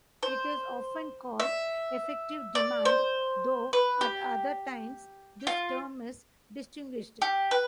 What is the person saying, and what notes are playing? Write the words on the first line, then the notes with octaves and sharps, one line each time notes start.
It is often called effective demand, though at other times this term is distinguished.
C5
E5
D5
C5
B4
G4
F4
G4
B4